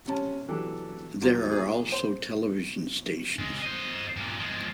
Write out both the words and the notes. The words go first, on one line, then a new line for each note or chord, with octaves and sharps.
There are also television stations.
C3 C#4 A5
E3 F#3 D4 G4 A4
D#2 F#3 D4 F4
A#2 D4 G#4
C5
C#3 G#3
C5 D#5
G2 A#2
F3 G#3